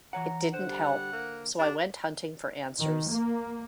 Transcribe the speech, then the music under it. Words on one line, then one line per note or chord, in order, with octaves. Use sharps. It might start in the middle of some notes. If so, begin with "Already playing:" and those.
It didn’t help. So I went hunting for answers.
E3 C#5 F#5 A#5
D3 C5 F#5
G3
A#3
D4 G4
D#3
A#3